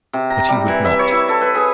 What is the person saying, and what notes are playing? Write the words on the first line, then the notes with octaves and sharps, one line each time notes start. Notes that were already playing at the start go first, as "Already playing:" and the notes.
But he would not.
C3
A#5
G3
E3
E5
C#5
E4
A4
B4
G#4